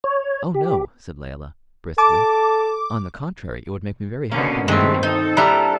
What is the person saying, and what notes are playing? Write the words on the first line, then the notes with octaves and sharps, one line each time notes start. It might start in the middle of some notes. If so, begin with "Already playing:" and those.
"Oh no," said Layelah, briskly; "on the contrary, it would make me very happy indeed."
C#5
G4
A4 A5 D6
B2 D3 A#3 C#4
G2 B2 D#3 G#3 A3 C4
D#4 A4
G3 D4 E4 G4 A#5